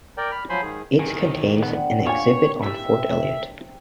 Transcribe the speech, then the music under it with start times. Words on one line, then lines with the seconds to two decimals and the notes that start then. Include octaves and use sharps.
Its contains an exhibit on Fort Elliott.
0.17 A#4 D5 G5
0.31 B5 F6
0.49 F3 F#3 C5 G#5 B5 C6
0.62 G#2 D#3 G#4
0.99 E2 D#3 G#3
1.62 C3 B3 D4 F#5
2.07 A#3 F4 C#5 G#5
2.63 E3 G3 C4 E5 F5